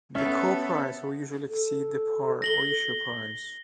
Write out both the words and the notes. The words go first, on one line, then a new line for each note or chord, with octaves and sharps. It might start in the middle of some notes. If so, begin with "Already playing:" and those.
The call price will usually exceed the par or issue price.
B3 C#4 A4 E5
A4
A#6 F#7 G7